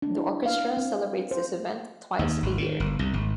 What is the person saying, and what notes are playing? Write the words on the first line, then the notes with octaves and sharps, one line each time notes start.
The orchestra celebrates this event twice a year.
D4
E4
F5
C4
C5
D#2
G#1
D#3
G1
C2
G#1